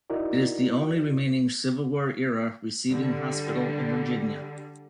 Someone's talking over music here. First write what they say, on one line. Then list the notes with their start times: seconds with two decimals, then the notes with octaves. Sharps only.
It is the only remaining Civil War era receiving hospital in Virginia.
0.10 D#4 E4 F#4 A#4 D5
2.89 D3 G3